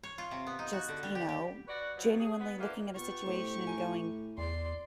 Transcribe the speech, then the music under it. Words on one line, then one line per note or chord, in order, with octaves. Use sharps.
just, you know, genuinely looking at a situation and going,
C#5
F4
C3
B3
D#4
F#4
D3
G3
G4
G4
F#4 B4 C#5 D5
B2 F3 F#3
G#4
B3
D3 E3 A#3 F4
B3 F4 G4 C#6
A2 C5
G#5 A#5
E2 D5 C6